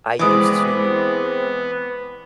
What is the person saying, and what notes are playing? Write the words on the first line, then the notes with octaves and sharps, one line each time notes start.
I used to
E3 G#3 B3 C4 D5 D#6